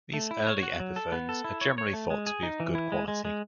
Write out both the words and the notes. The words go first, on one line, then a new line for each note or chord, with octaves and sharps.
These early Epiphones are generally thought to be of good quality.
A3
E4
C#5
F#4
F#3
A4
B3
A4
E4
C#5
C#5
A3
G#3
G#4
D#4
E3
E4
G#3
G#3
G#3